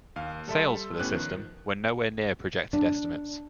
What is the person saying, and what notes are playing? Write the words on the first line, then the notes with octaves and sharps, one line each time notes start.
Sales for the system were nowhere near projected estimates.
D#2 F5
G3 A4 E5 C6
A2 B3 C#4 G4 F#6
D#3 F3
D4